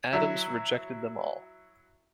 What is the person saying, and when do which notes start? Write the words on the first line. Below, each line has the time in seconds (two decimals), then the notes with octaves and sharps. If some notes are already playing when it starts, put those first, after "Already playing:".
Adams rejected them all.
0.13 F#3 E4